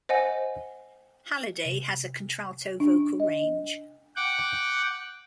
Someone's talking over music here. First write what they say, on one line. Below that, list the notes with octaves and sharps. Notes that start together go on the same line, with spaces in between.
Halliday has a contralto vocal range.
C5 D#5 F#5 G#5
C3
D4
D#5
F#5 G5 D6